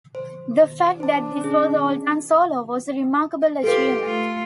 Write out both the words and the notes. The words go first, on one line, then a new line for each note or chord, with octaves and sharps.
The fact that this was all done solo was "a remarkable achievement".
C5
D4 C5 A5
C#4 G#4
F4 G4 A4 B4
A3 F4